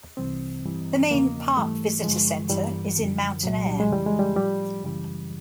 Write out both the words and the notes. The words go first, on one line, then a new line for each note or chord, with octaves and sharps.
The main park visitor center is in Mountainair.
C2 C3 E3 G3 C4
G2 E3 G3
E2 C#3 F3 A#3
G#2 E3 G3 A3
G2 D3 F3 G#3
G2 E3 G3
F#2 D3 F3
C2 A#2 F#3
G3
G#3
F2 C#3 E3 G3
G#3
G3
A2 F3 G3
F#2 C#3 E3 G3